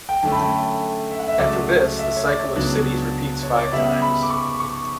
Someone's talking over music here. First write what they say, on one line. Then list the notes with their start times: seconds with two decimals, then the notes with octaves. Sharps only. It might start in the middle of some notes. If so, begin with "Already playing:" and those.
After this, the cycle of cities repeats five times.
0.09 G5
0.23 F#2 D3 A3 C#4 A5
0.32 B5
0.42 G5
1.11 E5
1.19 F#5
1.28 E5
1.39 C#2 C#3 F#3 A3 D5
1.98 E5
2.16 C#5
2.27 D5
2.55 C#2 C#3 F#3 B3 D4
3.43 C#5
3.53 C#5
3.57 D5
3.72 C#3 G3 B3 E5
4.02 B5
4.23 D6
4.30 C#6
4.60 C#6